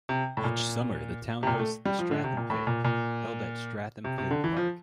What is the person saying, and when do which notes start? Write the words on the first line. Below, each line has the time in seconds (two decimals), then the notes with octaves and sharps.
Each summer the town hosts the Stratham Fair, held at Stratham Hill Park.
0.09 C3
0.37 A2
0.44 A#2
1.43 C3
1.47 A#2
1.59 A3
1.85 G3
1.99 F3
2.11 D3
2.24 C3
2.37 A#2
2.50 A2
2.67 A#2
2.85 A#2
4.04 C3
4.18 C3
4.31 D3
4.44 E3
4.56 F3